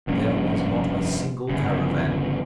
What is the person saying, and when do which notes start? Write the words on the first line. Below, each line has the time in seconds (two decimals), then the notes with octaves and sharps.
There was not a single caravan.
0.07 F1 G2 A#3 C#4
1.49 G1 C#3